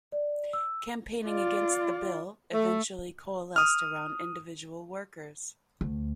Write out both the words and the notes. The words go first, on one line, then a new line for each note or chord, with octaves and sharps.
Campaigning against the Bill eventually coalesced around individual workers.
D5
E6
F4 D5
A3
D#6 F6
D2